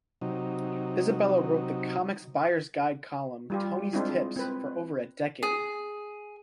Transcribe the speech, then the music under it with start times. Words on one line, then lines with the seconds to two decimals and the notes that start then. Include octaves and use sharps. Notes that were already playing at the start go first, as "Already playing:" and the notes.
Isabella wrote the "Comics Buyer's Guide" column "Tony's Tips" for over a decade.
0.21 C3 F#3 D#4
3.50 G3 F4 G4
3.93 G#3 C4 D4 E4 F4
4.36 C4 B4
5.43 G#4